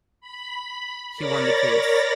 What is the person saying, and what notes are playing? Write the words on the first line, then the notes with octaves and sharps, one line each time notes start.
He won the case.
B5
A#4 C#5 D5 B5 A6 A#6